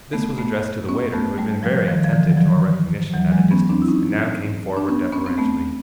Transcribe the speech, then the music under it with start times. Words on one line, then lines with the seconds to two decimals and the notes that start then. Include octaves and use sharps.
This was addressed to the waiter, who had been very attentive to our recognition, at a distance, and now came forward deferentially.
0.13 A3 B3
0.38 A3 B3
0.89 B3 C#4
1.13 A3 B3
1.38 G3 A3
1.63 F3 G3
1.88 D#3 F3
2.04 F3
2.13 D3 E3
2.32 F#3
2.38 D#3 F3
3.13 E3 F#3
3.32 F#3 G#3
3.51 B3 C#4
3.69 C4 D4
3.82 E4
3.88 C#4 D#4
4.77 D4
4.89 B3 C#4
5.13 B3 C#4
5.26 C4
5.38 A3 B3